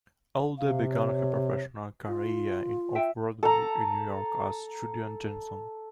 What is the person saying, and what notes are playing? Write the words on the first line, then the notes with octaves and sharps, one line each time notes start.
Elder began her professional career in off-Broadway in New York as "Judyann Jonsson".
C3 F5
C#5
F4
E5 G5
A4 A#5